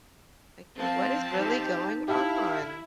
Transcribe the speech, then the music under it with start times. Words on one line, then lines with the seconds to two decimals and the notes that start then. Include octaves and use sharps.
Like, what is really going on?
0.78 F3 C4 F5 A5
1.38 D#4 G4
2.08 E4 G4 E5 F5 A5